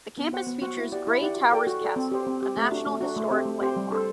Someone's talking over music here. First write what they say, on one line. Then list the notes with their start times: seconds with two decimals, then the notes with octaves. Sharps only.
The campus features Grey Towers Castle, a National Historic Landmark.
0.18 B3
0.33 F#4 C5 F#5
0.47 B3
0.62 F#4 C5 F#5
0.77 E4
0.92 G4 D5 F#5
1.07 E4
1.22 G4 D5 F#5
1.37 F#4
1.52 A4 D5 G5
1.67 F#4
1.81 A4 D5 G5
1.96 C4
2.12 G4 C5
2.27 C4
2.42 G4 C5
2.57 A3
2.71 D4 F#4
2.87 A3
3.01 D4 F#4
3.17 A3
3.31 C4 G4 C5
3.45 A3
3.61 C4 G4 C5
3.76 G3
3.90 D4 A4 C5